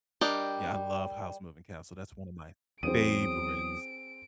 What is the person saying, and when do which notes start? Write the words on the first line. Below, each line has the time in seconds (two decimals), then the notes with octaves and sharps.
Yeah, I love Howl's Moving Castle. That's one of my favorites.
0.21 G3 D4 G4 A#4 D#5
2.83 E2 F#3 C4 G#4 D#6 D7 D#7